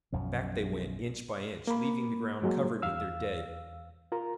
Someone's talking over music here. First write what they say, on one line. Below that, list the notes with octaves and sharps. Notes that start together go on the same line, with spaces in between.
Back they went, inch by inch, leaving the ground covered with their dead.
B1 F#2 F3
A#3 B5
G#2 F#3 G#3 A#3
E2 F5 E6
F4 A#4 A#5